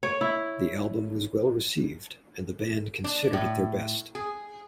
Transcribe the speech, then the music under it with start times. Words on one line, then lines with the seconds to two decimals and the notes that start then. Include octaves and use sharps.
The album was well received and the band considered it their best.
0.03 C#5
0.21 E4
3.04 D4
3.33 A2
4.15 G#4